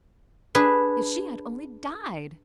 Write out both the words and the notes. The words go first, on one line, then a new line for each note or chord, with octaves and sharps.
If she had only died!
D4 G#4 B4